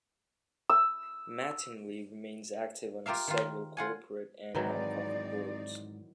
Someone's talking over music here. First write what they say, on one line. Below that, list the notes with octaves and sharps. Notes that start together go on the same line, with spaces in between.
Mattingly remains active on several corporate and nonprofit boards.
E6
F4 G4 A#4 E5 F5
D#3 F4
F4 F#5 G#5
G#2 D#3 E3 F#3 C4 D#4 D5